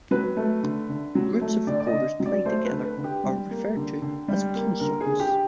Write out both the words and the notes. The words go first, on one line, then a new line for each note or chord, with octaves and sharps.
Groups of recorders played together are referred to as consorts.
F#3 B4
A3
D3
D3
F#3
A3
D3 D5
D5
D#5
D3
F#3
D5
A3 C5
B4
D3
B4
D3
G4
G3
A#3
D3
D3
G3
A#3
D3 A#4
G#4
D3
G4